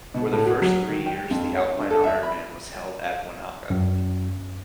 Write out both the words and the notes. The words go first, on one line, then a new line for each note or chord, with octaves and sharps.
For the first three years, the Alpine Ironman was held at Wanaka.
B2
A2
F#4
F#3
D#3
G5
F2
C#5
G2
A4
E5
B5
F#2